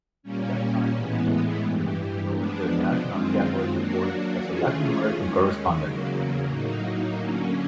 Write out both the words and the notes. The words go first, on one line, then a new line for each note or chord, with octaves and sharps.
At that time, Lernoux joined the "National Catholic Reporter" as a Latin American correspondent.
A#2 G3 A#3 C#4
A2 E3 G#3 B3
G2 E3 G3
F3 G#3 B3 D4
F#2 D#3 G#3 C4 F4
F#3 A#3 D4 F#4
E3 A3 C#4 F4 G#4
D#2 D#3 G#3 C#4
E2 C#3 F#3 A#3
A2 F#3 A#3 D#4
D3 F#3 A#3 C#4